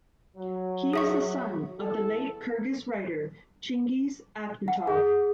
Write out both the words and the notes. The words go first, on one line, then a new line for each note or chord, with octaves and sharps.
He is the son of the late Kyrgyz writer Chinghiz Aitmatov.
F#3
G#4 E5 C#6
E2 A4
F#5
G#4